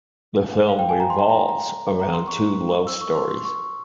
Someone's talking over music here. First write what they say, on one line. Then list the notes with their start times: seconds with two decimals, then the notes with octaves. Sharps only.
The film revolves around two love stories.
0.69 F5
0.79 G5
0.89 G#5
1.00 A#5
1.10 C6
1.29 A#5
1.49 A#5
2.00 A#5
2.13 C6
2.28 C#6
2.87 E6
3.01 C#6
3.15 C6
3.30 C6
3.45 C#6